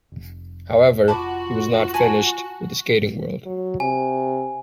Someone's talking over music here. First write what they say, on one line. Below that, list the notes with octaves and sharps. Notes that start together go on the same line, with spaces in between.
However, he was not finished with the skating world.
F1
F4 F#4 A5 B5 D6
G#5 A5 B5
F#3
C3 G#5